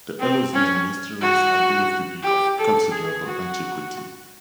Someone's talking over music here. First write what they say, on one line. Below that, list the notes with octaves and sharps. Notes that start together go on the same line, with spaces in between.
The Eleusinian Mysteries are believed to be of considerable antiquity.
C4
C#4
F#4
G4
A4
G#4
F#4